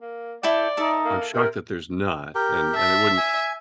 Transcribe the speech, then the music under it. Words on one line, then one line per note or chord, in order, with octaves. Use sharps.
I'm shocked that there's not, and and it wouldn't
A#3
E4 A4 D5 G5
D#4 A4 E5
A#3
C3 A#4
G4 A#4
E5 A5
G#5